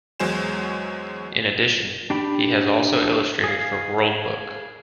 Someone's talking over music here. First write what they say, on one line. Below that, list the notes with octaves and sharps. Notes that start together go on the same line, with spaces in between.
In addition, he has also illustrated for World Book.
E2 F#3 G#3 C5 G#5 E7
D4 G4 G5 B5
G#4 F5